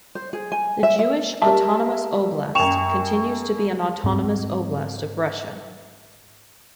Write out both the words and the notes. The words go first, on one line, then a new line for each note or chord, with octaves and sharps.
The Jewish Autonomous Oblast continues to be an Autonomous Oblast of Russia.
C5
G#4
G#5
E5
E5
G4 A#4 E5 A5
F#2 G5 C#6 E7 F7
G#2 C4